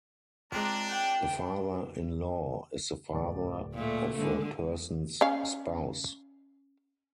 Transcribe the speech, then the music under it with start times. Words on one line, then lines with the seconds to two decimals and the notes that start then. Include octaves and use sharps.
A father-in-law is the father of a person's spouse.
0.52 G#3 C4 D4 F4 A#5
0.88 G5
3.13 D1 D5
3.74 A#2 A3
4.18 G#2 D3 G#3
5.21 C#4 F5